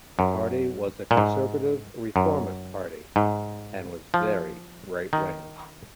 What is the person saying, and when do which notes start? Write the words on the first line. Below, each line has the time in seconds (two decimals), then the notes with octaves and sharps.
The party was a conservative reformist party and was very right-wing.
0.19 F#2
1.11 A#2
1.17 G#2
2.16 F#2
3.16 G#2
4.14 F3
5.13 D#3